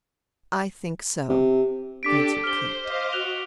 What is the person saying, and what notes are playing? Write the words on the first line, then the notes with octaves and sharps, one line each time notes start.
"I think so," answered Kate.
C3
D4 G4 A4 D6 B6 D7
C5 F6 G7
C5 D#5 F5
F#4 F#6 F7 G7